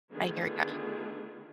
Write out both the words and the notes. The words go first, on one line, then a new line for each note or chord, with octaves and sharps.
I hear ya.
D3 D#3 A3 B3 F4 G#4